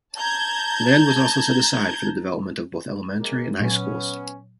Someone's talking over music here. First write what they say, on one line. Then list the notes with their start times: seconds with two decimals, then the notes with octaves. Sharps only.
Land was also set aside for the development of both elementary and high schools.
0.16 A5 A#5 G6 G#6
3.19 F#2 G#3 A#3
3.60 A#2 F#3 B3 C#4